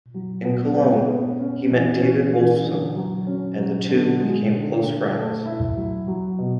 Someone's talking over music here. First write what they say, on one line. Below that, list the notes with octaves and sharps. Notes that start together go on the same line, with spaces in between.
In Cologne he met David Wolffsohn and the two became close friends.
F#3
B3
B3
B3
C#4
E3
C#4
E3
D3
F#3
C#4
F#3
D3
G#3
D3
D3
A3
E4
F#3
F#3
B2